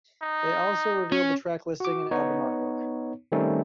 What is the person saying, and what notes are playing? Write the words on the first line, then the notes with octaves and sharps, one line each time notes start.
They also revealed the track listing and album artwork.
D#4
C#4
F#4 D6
B3 D#4 C#5
D#3 G3 A3 C4 C#4 D#4